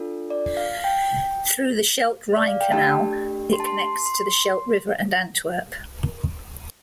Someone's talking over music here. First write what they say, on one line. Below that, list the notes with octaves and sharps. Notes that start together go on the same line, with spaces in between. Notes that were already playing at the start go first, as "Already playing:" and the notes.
Through the Scheldt-Rhine Canal it connects to the Scheldt river and Antwerp.
Already playing: D4 F4 A4
D5
F5
G5
D5
F5
G5
A3 D4 G4 A5
C6
A5
C6
C6
C6